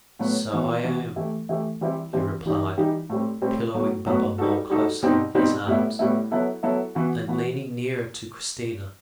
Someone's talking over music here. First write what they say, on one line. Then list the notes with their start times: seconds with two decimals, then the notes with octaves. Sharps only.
"So I am," he replied, pillowing Baba more closely in his arms, and leaning nearer to Christina.
0.19 A2 F#3 B3
0.52 E3 B3 F#4
0.84 E3 B3 F#4
1.16 E3 A3 E4 G4
1.49 E3 A3 E4 G4
1.81 E3 G3 C4 E4 G4
2.13 E3 G3 C4 E4 G4
2.46 E3 G3 D#4 G4
2.78 E3 G3 D#4 G4
3.10 A2 G3 C4
3.42 A2 G3 C4
3.74 A2 F#3 B3 F#4
4.06 A2 F#3 B3 F#4
4.38 G3 D#4 F#4 A4
4.70 G3 D#4 F#4 A4
5.02 B2 G3 C4 D#4
5.34 B2 G3 C4 D#4
5.67 A2 G3 B3 E4
5.99 A2 G3 B3 E4
6.31 F#3 B3 E4 A4
6.63 F#3 B3 E4 A4
6.95 E3 B3 F#4
7.28 E3 B3 F#4